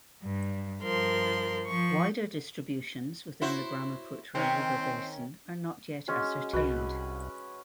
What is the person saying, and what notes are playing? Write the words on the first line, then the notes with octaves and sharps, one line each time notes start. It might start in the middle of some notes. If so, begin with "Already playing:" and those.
Wider distributions within the Brahmaputra River basin are not yet ascertained.
G2
G2 F3 A#4 C6
F3 C#6
E4 F#4 C5
D#3 C4 C#4
G#3 C#4 F#4
C2 F#4 B4 D#5